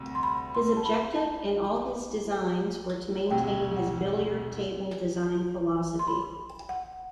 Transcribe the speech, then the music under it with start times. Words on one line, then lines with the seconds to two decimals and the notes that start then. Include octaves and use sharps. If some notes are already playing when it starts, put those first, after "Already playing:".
His objective in all his designs were to maintain his "billiard table" design philosophy.
Already playing: D2 C3 G3
0.15 C6
0.23 B5
0.55 C6
0.77 A5
0.85 B5
1.16 A5
3.30 E1 D2 C3 F#3 G5
3.77 F#5
5.99 C6
6.07 B5
6.69 F#5